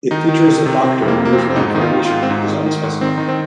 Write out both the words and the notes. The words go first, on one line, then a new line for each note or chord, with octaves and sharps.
It features a Doctor whose incarnation is unspecified.
D#3 D#4
D#3
C3
C3
C3 C4
F2
A#3
C3
A#3
C4
F2
C4
G#2 D#4
D#3 D#4
F4
D#3
D#4
F4
G#2
C4
G#2 D#4
D#3
D#3
G#2
D#3 C4
D#3 D#4
C4